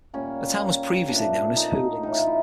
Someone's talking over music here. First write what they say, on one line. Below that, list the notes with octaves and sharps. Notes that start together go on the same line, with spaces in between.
The town was previously known as Hulings.
A#2 G3 A#3 C#4
A#2 F3 A3 D4
D#4
A2 E3 G3 D#4
F4
E4